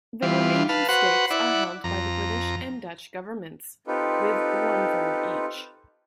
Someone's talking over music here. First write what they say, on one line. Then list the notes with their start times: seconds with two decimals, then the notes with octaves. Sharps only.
The remaining stakes are held by the British and Dutch governments, with one-third each.
0.22 E3 G3 F4
0.69 B4 F5 A5
0.89 F#4 B4 C5 F#5
1.31 E4 D5 F#5
1.84 F2 A#5
3.87 C4 D#4 F4 G4 A4 B4